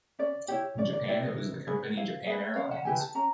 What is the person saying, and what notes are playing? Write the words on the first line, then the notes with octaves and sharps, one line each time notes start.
In Japan it was the company Japan Airlines.
C#4 D5
E4 G4 C#5
C#4 D5
D5
E4 G4 D5
D#5
E4
G#4 B4
E4 F5
G#4 B4 E5
C#4 F5
F#5
E4 G4 B4 G#5
A5
C#4 A#5